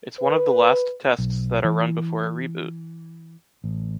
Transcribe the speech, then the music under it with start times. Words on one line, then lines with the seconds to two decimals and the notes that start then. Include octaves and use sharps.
It's one of the last tests that are run before a reboot.
0.19 B4
1.18 B1
1.64 E3
3.64 A1